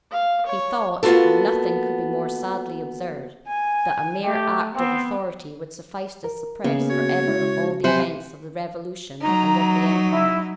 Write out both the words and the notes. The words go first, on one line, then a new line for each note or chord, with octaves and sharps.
He thought, and nothing could be more sadly absurd, that a mere act of authority would suffice to suppress forever all the events of the Revolution and of the empire.
F5
C#5
A#3 B3 F4 F#4 A4
G#5
A3 G4
B3 C4
A#4
C#3 A#3 B3
F#4 C#5
G#3 E4
C3 F#3 B4 C5 F#5 G#5
F#3 D#4 A#5
E4